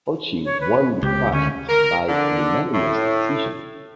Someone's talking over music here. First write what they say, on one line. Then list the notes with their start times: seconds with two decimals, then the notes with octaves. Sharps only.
Ochi won the fight by unanimous decision.
0.45 C#5
0.61 B4
1.03 C#2 G4
1.33 D2 C#4
1.69 A#4
2.09 D3
2.74 A2